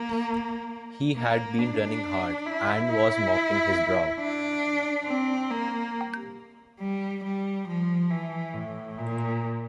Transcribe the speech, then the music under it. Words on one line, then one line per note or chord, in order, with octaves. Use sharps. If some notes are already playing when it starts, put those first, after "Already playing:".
He had been running hard, and was mopping his brow.
Already playing: A#3
A#3
D4
E4
E4
D4
C4
A#3
G3
G3
F3
E3
A2
A#2